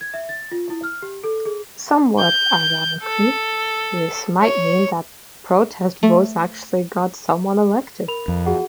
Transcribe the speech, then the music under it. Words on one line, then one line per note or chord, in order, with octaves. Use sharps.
Somewhat ironically, this might mean that protest votes actually got someone elected.
G#6
E5
A6
F4
E4
F6
G4
A4
G#4
G6
A4
C#5
A3
A#4 B5 F7
F2
F#4 G#4 F#5